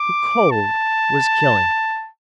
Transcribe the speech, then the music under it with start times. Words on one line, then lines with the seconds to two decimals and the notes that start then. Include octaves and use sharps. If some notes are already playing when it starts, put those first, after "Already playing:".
The cold was killing.
Already playing: D6
0.51 A5